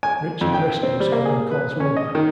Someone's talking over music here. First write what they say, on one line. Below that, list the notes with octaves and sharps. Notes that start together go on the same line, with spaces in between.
Richard rescues her and calls Wilbur.
G#5
F2
G5
C4
G3
A#3
G#4
B4
C#4
D#5
D#3